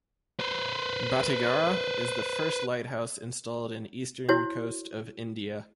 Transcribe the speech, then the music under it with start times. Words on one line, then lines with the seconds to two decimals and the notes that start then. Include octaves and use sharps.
"Batighara" is the first lighthouse installed in eastern coast of India.
0.40 B4 C5
4.29 E4 F#4 C5 C#5